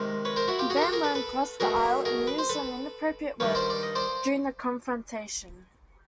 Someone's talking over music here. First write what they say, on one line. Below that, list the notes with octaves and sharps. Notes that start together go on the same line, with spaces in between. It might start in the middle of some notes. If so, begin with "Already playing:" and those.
Van Loan crossed the aisle and used an inappropriate word during the confrontation.
Already playing: C3 D#3 G#3
B4 C#5
A#4 C5
E4 F#4
F4 G4
F#4 G#4
A#4
G4 A4
G#4 A#4
A4 B4
A4 B4
B2 F#3 A3 G#4 A#4
G#4 A#4
B4
C5
A4 B4
G2 D#3 G3 B4 C#5
C5 D5
D5
D#5
C5 D5